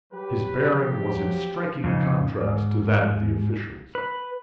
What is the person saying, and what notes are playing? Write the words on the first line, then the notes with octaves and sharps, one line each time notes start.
His bearing was in striking contrast to that of the officials.
F#3 G4 B4
F3 F#3 G4
F2 C#3 D#4
G#2
B4